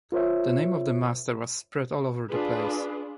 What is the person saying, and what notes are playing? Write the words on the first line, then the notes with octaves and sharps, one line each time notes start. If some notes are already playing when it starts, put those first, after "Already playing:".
The name of the master was spread all over the place.
F4 A#4 C5 C#5 E5
D4 F4 G#4 B4